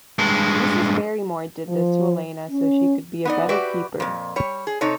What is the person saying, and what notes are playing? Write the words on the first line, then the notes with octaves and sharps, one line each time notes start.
Mrs. Barrymore did this to Elena so she could be a better keeper.
G2 G#3
F3
C#4
B3 D#4 D5
F#4 G4 B4 D5 E5
F2 A#2
G3 C#5
G#4
C3 D#4 A4 C#5